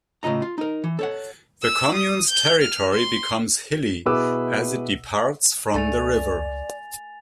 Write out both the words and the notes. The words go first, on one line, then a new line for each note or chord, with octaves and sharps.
The commune's territory becomes hilly as it departs from the river.
A2 C#3 F4 D#5 A#5
F4
D#4 A#4
E3
A4 C#5 F#5
E6
D#6
G6
F6
C6
B2 E4 G#4 B4 D6 E6
C#2 A3 D5 G#5 A6 F7